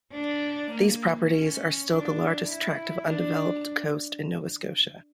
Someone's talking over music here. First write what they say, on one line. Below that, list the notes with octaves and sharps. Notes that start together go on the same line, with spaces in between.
These properties are still the largest tract of undeveloped coast in Nova Scotia.
D4
A#3
C#4
D4
E4
D4